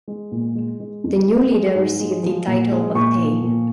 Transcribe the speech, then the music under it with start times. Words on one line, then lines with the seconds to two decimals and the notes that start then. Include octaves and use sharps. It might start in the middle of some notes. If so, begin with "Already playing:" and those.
The new leader received the title of dey.
0.08 G#3
0.32 A#2
0.55 G#3
0.80 G#3
1.04 F2
1.28 G#3
1.51 G#3
1.75 G#2
2.00 G#3
2.23 F3
2.47 A#2
2.71 G#3
2.94 A#2 C#6
3.18 F3
3.42 A#2